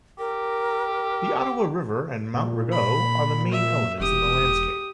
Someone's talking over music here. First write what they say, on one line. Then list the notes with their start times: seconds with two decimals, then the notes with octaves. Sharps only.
The Ottawa River and Mount Rigaud are the main elements in the landscape.
0.19 G4 A#4
2.34 A#2
2.72 B5
3.52 E5
4.00 E1 G4 D#6